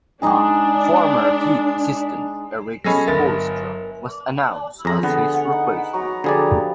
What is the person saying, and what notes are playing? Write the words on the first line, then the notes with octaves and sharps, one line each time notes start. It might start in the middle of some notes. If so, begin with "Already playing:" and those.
Former Heat assistant Erik Spoelstra was announced as his replacement.
G#3 D4 D#4 G#4
F#3 C#4 G#4 A4 D#5 B5 A#6
G1 A#4 E5 A6
F2 G#4 A#5
D3 B3
F#5
D#4
F#3 A#5 C#6
D3 F3 G3 G#4 D5